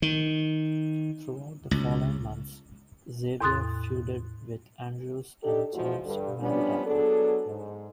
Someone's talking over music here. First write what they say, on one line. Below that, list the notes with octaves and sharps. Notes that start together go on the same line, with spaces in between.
Throughout the following months, Xavier feuded with Andrews and James Maritato.
D#3
C#2
E2 A2 C6 D#6 F#6 A6
D4 D#4 G4 A4
E2 G#2 F3 F4 F#4
G2 D3
F3 G3 B3 C#4 D4
F#3 B3 D4 G#4 A4
G#2